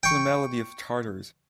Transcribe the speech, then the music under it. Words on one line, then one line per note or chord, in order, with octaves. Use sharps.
To the melody of Chartres.
G5 C#6